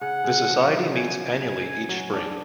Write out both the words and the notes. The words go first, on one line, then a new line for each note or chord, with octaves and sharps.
The society meets annually each spring.
C#3 F#5
C#3
F3
F#3
F#3
G#5
F#3
D4